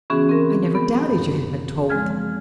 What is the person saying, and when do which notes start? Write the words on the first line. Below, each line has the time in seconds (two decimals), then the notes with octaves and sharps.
I never doubted you had been told.
0.10 C#3 E3 B3 C#4 F#4 G#4
0.29 C4 A#4
0.75 B3
1.07 F#2
1.89 F3 G#3 C4 F6 G#6